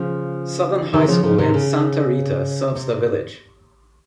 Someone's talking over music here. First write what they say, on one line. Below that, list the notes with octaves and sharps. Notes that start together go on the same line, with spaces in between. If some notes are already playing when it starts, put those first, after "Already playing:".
Southern High School in Santa Rita serves the village.
Already playing: C#3 F3
C3 D#3
C#3 F3
C#3 F3
C3 D#3
C#3
C3